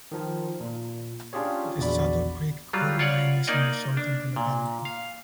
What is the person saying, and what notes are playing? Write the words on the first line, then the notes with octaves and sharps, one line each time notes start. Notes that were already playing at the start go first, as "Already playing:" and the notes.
The Suttor Creek coal mine is in the south of the locality.
D#3 F3
A#2
C#4 D4 F4 G4 G#4 C#5
A#1 E2 F#4 D5 B5
F#3 G3 F4
F4 C#5 D5 F#5
A#3 D#4 D5 D#5
D4
A#2
F5